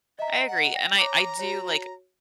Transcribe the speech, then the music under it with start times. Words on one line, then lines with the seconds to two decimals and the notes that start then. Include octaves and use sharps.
I agree, and I I do, like
0.19 D#5 E5 A#5
0.48 F#5
0.75 G5 A#6
0.98 C#5 A#5 D6
1.39 F#4 C#5